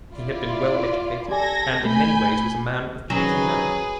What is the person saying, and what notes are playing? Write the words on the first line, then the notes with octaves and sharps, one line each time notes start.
He had been well educated, and in many ways was a man of pleasing manner.
E4 F4 D5
G4 A4 D5 G#5 G#6 A#6
A3 G#5 B5 G6
C3 D#3 F#3 C#4 G#4 B4